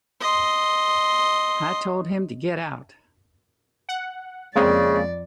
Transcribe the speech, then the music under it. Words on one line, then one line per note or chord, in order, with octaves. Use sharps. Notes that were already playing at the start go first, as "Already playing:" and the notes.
I told him to get out.
D#5 C6
F#5
F2 C#3 G#3 A#3 C4 D5